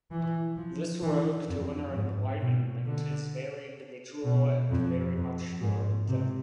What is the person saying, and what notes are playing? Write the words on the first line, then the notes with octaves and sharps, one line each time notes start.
This road to inner enlightenment is very individual and very much your own thing.
E3
F3
E3
F2
G#2
B2
D3
B2
F2
F2
G#2
C3